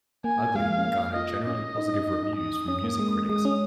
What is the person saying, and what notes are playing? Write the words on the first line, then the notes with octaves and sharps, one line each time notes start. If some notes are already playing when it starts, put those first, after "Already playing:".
"Ugly" garnered generally positive reviews from music critics.
A#3 G#5
A#3
G#3 F5
F3
C#4
A#3
F4 D#5
C#4 D#5
C#4
D#4
D#4
D#4
D#6
C#4
A#3
G#3
G#3 D#6
C#4